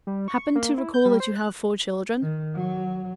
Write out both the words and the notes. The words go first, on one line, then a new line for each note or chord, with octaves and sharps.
Happened to recall that you have four children.
G3
C#6
A#3
E4
G6
G3
C5
F#6
D#3
F#3